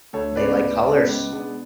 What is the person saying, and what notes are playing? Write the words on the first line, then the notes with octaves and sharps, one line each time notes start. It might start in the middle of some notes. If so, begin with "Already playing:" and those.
They like colors.
D2 A4 C#5
C#3 G#3 B3 B4 D5
D2
C#3 G#3 B3
C#2
B2 G#3 B3 D4